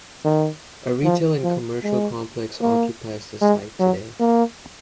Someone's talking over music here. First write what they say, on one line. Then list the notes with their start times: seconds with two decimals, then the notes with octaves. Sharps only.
A retail and commercial complex occupies the site today.
0.25 D#3
1.04 F3
1.43 F3
1.83 G#3
2.61 A#3
3.41 G#3
3.80 F#3
4.20 A#3